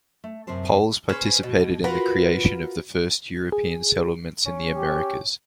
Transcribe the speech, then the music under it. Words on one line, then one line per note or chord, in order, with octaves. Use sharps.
Poles participated in the creation of first European settlements in the Americas.
A3
F#2 C3 C4 C5 A5
C#4 G#4 B4 C5
B2
F4 F#4 A#4 B4
G#4
C#4
G4